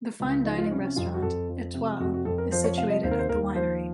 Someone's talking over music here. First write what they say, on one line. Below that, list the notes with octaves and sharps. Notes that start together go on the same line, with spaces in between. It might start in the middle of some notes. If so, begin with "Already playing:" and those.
The fine dining restaurant "etoile" is situated at the winery.
C#2
F3 D#4
F4
D#4
C3 C#4
C#4
F2 F4
F#4
F2 A4
F3
C3
F2 F#4
F#4
F2 A4
A#4
F3 C5
C#5
C3 F5
D#5
D#2 C5
A#4
C5
D#2 A#4
F3 C5